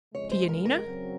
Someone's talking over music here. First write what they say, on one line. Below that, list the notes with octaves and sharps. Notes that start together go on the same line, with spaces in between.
"To Yanina?"
F2 C#3 G#3 C#5
C5
A#4
A#4
F#2 C#3 F#3 C4